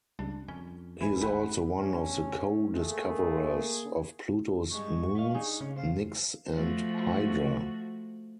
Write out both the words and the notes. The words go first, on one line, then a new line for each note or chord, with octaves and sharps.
He is also one of the co-discoverers of Pluto's moons, Nix and Hydra.
C#2 G2 C#3 D4
F2 C#4
E1 E2 A2 E4 B4 G#5
G#1 D2 G4 E5 F#5 G#5 B5
D3 A3 C#4
A3 A#3 G#4
G2 G3 G#3 C#6
B4 D#5 F5
D4 D#4 G#4 G#5
C#3 C#4
C5 F5
F3 A3 F#4